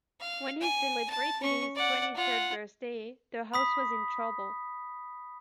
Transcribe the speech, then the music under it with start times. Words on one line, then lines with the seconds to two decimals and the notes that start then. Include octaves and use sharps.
When he celebrated his twenty-third birthday, the house was in trouble.
0.20 F5
0.61 G#5
1.10 A5
1.41 C#4 C#6
1.75 D5 F#5
2.16 F4 F#5
3.54 B5 D#6 B6